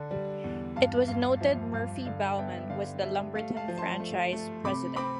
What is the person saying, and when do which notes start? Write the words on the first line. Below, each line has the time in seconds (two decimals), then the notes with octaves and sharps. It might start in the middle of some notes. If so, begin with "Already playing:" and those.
It was noted Murphy Bowman was the Lumberton franchise president.
Already playing: D3 D4
0.11 G3
0.44 E2
0.76 G2 F5 A5
1.08 G2 F5
1.40 F3 E5
1.73 G2 F5
2.05 D3 F5
2.38 B3 E5 G5
2.58 E5
2.70 D3 F5
3.02 G3 E5
3.35 A3 F5
3.57 F5 A5
3.68 F3
3.78 A5 C6
4.00 A3
4.33 A3
4.64 C3 B5 D6
4.96 C4 B5 D6